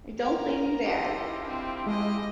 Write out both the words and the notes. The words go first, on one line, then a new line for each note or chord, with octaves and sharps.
I don't blame you there.
A#4
E4 F4 G4 D#5
C4 D4
G#3 D#5